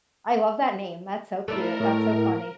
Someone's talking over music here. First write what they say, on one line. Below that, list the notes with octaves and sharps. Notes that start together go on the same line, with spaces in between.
I love that name, that's so cute, that's so funny.
A3 D4 E4 A#4
A2